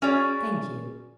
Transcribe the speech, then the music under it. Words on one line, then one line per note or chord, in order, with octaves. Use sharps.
'Thank you.
C#4 F#4 G#4 C#5 D5